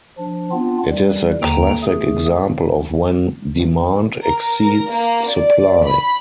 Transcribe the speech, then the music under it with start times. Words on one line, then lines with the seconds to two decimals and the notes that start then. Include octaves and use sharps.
It is a classic example of when Demand exceeds Supply.
0.18 F3 D4
0.51 B3 C4 D4 F4
0.90 G3
1.41 D#2 D3 G5 A#5
1.83 A3 G#4
4.23 A#4
4.90 A#3
5.28 D5
5.84 B5